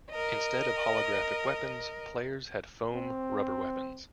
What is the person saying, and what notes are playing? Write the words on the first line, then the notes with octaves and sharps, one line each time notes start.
Instead of holographic weapons, players had foam-rubber weapons.
A#4 D#5
C4